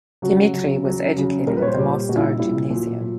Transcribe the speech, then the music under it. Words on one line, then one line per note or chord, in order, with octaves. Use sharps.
Dimitrije was educated at Mostar Gymnasium.
C#3 F#3 F#4
C#3 F#3
C#3 F#3
C#3 F#3
A#2 G3 A#4
B4
C#5
C5
A#2 G3 G4
A#2 G3 F#4
E4
D#4
A#2 G3 E4
A#2 F#3
A#2 F#3